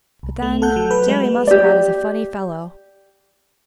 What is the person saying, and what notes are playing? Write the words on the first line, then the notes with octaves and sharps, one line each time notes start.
But then, Jerry Muskrat is a funny fellow.
C2
A3
A4 F#5 G6
F#3
B4
G#3
G4 D5